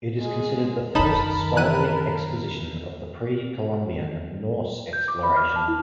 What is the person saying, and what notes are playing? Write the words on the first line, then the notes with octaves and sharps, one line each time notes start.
It is considered the first scholarly exposition of the Pre-Columbian Norse exploration.
G#3 G#4
F#2 D#3 D#4 A#4 A5 B5
E3 F#6 D#7
G6
D6
B5
F6
A5
E4